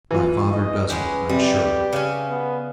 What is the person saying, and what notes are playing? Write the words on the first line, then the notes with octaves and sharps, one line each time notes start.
My father doesn't, I'm sure.
E3 F4
D#5
G#3 B3 C#4 G4
C3 G3 G4
C#3 C#4
B3